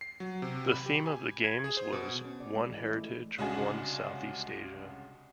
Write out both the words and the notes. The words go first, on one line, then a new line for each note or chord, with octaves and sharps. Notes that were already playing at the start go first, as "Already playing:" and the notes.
The theme of the games was "One Heritage, One Southeast Asia".
C7
F#3
C3
B5
G4
G#5
G#6
G#4
C5
B2
C#4
D5
G#3
E3
E4
A3
C2 C#3 G#3 D4 F#4 G#4